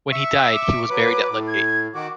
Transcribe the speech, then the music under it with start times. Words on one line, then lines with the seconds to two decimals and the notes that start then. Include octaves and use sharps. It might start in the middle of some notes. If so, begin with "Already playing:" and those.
When he died, he was buried at Ludgate.
0.12 E5 C#6 E6
0.53 D6
0.90 F#3 B4
1.30 A2
1.47 G#6
1.94 D#3 F#4 D6